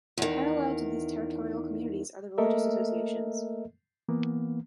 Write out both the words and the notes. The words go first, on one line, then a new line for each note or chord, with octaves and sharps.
Parallel to these territorial communities are the religious associations.
E2 D#3
A3 A#3 A4 A#4 D#5 E5
E3 A#3 B3